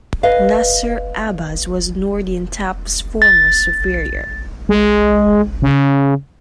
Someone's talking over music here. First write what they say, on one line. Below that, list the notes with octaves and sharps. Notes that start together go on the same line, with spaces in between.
Nasir Abbas was Noordin Top's former superior.
B4 D#5 F5
A6
G#3
C#3